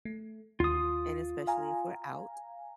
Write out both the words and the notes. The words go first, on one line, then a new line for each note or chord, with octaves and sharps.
And especially if we're out
A3
D#2 F4 D#6
F5 G#5 A#5